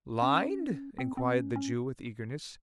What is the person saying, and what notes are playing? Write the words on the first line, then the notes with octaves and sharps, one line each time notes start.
'Lined?' inquired the Jew, with eagerness.
C#4
C4
C4
C#4
C#4